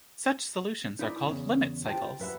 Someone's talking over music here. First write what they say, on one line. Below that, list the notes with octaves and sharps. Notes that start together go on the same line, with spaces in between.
Such solutions are called limit cycles.
D#4 E4 D5
E2 C#3
D4 F4 G4 C5 G5 A5
F#2 B4 E5 F#5